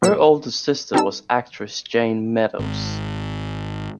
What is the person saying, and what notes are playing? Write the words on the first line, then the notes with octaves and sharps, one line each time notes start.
Her older sister was actress Jayne Meadows.
F#2 A#2 B6 C#7 E7
G3 C4 D#4 A4 E6
G#1